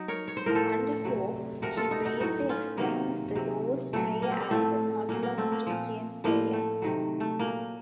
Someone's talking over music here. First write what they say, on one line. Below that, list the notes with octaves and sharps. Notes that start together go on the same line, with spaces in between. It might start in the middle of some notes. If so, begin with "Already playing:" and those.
Under Hope, he briefly explains the Lord's Prayer as a model of Christian prayer.
Already playing: F#3 D#4
A#4 C#5
C#5
C5
A2 F3 A#4
A4 C5
C3 F#3
C3 F3 F#4 A#4
F4 A4
D#4 F#4
D#4 F#4
A2 F#3 D#4 F#4
C#4 F4
C3 D#3 F#3 A#3
C3 F#3
A#2 F#3 A3
A#3
C4
A#3
A2 F3 A3 C4
A#2 F#3 A#3
A#3
A3 C4
A#3
A#2 F3
A2 F3 A#3
A3
C3 D#3 F#3
A3
A#2 F#3 A#3